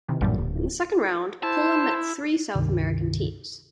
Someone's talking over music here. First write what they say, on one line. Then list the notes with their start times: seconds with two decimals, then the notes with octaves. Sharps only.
In the second round, Poland met three South American teams.
0.08 C3 D#3 E3
0.21 A1 F#2 A#2 D3 G3
0.38 D1
1.43 E4 C5 A5
2.55 C#2 G2 C3 D#3